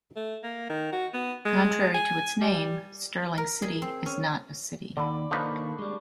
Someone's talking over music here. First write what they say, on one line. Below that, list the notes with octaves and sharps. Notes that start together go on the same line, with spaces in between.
Contrary to its name, Stirling City is not a city.
A3
A#3
D#3
F#4
B3
G#3
G#5
G3
A#4
G#4
C4
C#4
D#2 D3 D#3 D5 B5
D#3 F3 A#3 D4 D#4 A4 B4 C#6
G3 G#3